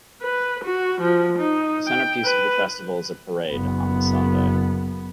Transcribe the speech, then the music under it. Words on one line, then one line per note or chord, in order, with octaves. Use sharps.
The centrepiece of the festival is a parade on the Sunday.
B4
F#4
F3
D#4
G5
B4
F#1 B3